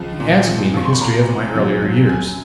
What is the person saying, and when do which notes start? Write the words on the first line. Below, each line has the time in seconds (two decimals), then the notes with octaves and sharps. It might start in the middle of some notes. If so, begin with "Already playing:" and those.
He asked me the history of my earlier years.
Already playing: C#2 F3
0.20 A#2
0.47 F3
0.74 F3 C#6
0.85 C6
0.93 B5
1.01 A#2 A#5
1.28 A#2
1.55 F#3
1.82 F#3
2.09 F#2 G#5